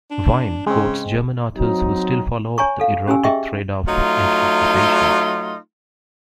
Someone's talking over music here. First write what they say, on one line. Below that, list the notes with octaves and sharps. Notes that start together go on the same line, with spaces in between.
Vine quotes German authors who still follow the erotic thread of interpretation.
D4
C#3 G#3 C4
F#3 C4 D#4
C#5 G#5 A#5 C#6
A4 F5
C#4 G4 G#5 E6
G#4 D#5 E5 G5 C6 C#6
F#3 A3 D#4 F4